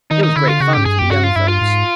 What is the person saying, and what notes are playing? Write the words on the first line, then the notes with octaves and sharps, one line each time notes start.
It was great fun for the young folks.
D#3 D#4
D#4
D3 E4
F4
C#3 F#4
G#2 G4
G2 G#4
F#2 G4
G2 F#4
F4
G2 E4
F4
G#2